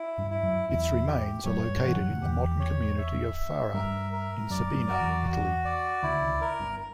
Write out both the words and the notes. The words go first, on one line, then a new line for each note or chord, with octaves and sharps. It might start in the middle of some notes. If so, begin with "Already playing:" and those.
Its remains are located in the modern community of Fara in Sabina, Italy.
Already playing: E4
G2 G3
E4
F#2 F#3
E2 E3 E4
G4
F#2 F#3 C#5
G2 G3
E3 F#5
F#2 F#3
D3
E2 E3 G4
C#5
E5
E5
G2 G3 A#4
A#4
F#2 F#3 D5
F#2 F#3
F#4
E2 E3
F#4
D5
D2 D3 E4
C#2 C#3
A#4
G1 G2